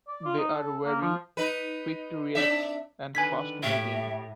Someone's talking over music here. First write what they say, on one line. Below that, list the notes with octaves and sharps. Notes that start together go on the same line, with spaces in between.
They are wary, quick to react, and fast-moving.
D5
F4
D#4
A4
A#3
F3
D#4 B4
C4 D4 E5
D3 D#3 B4 G#5 G#6 B6
A2 E4 G4 C#5 E5